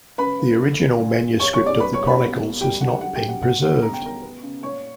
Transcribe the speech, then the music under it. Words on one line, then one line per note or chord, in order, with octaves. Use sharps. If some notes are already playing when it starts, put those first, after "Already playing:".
The original manuscript of the chronicles has not been preserved.
C#3 B4 B5
A#3
D3
A#3
A#2
A#2
A#3 C#5 C#6
C#5 C#6
B2
D5 D6
F#3 B4 B5
C#5 C#6
A#2
B4 B5
B2
A#3
G3 G4 G5
D3 F#5
F#3 F#5
G4 G5
F#3
F#5
A#3 F#5
D3 F#5
B2 A#5
G5
B2 A#4 A#5
B3
C#3
A#2 C#5 C#6